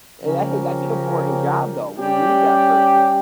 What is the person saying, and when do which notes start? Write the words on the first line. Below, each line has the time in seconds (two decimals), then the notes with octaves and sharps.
Eh, ga hey. That's an important job, though. We need that person.
0.22 C#3 F3 C#4 G4 A#4
1.97 G3 C#4 G4